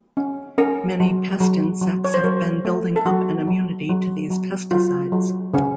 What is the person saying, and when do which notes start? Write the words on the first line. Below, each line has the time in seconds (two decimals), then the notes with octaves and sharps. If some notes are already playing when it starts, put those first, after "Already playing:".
Many pest insects have been building up an immunity to these pesticides.
0.17 C#4
0.58 C#4 A#4
1.00 F#3
1.40 F#3
1.82 F#3
2.04 C#5
2.14 C5
2.24 F#3 A#4
2.65 A3
2.96 A4
3.05 F#3 F#4
3.48 F#3
3.89 F#3
4.31 F#3
4.71 F#3 F4
5.12 F#3
5.53 C#3 C#4